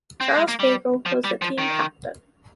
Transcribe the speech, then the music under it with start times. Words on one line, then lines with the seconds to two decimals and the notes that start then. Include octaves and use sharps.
Charles Nagle was the team captain.
0.20 C4
0.29 A#3
0.36 G#3
0.48 A#3
0.60 G3
1.06 F3
1.24 G3
1.42 F3
1.58 D#3